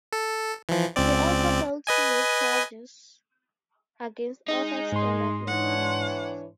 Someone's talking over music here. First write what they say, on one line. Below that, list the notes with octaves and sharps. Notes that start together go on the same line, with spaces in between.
He also failed to make charges against Arthur stand up in court.
A4
E3 F3
C#2 C4 D5
B4 D#5 G#5
G#3 D#4
G#2 C6
E3 D4 C#5 F#5